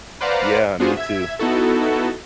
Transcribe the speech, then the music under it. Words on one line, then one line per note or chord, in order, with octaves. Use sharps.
Yeah, me too.
B4 C5 D5 F5 F#5 A#5
B3 D4 F4 F#4 G#4 C5
E5 G#6
B3 D#4 E4 F#4 A4